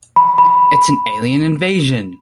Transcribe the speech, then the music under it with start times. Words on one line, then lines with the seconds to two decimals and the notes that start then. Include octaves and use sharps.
It's an Alien Invasion!
0.16 B5
0.38 B5